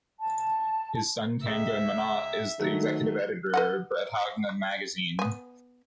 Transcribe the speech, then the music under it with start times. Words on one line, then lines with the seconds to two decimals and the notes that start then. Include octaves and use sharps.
His son Tanguy Monnat is the executive editor of Bretagne Magazine.
0.19 A5
1.46 C#2 E5
2.59 D#3 F#3 A3
3.54 B4 D#5 F#5
5.19 B3 G#5